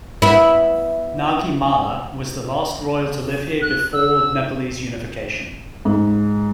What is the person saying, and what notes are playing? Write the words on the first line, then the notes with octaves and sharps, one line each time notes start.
Nagi Malla was the last royal to live here before Nepalese unification.
B3 E4
F#6
E6
G#2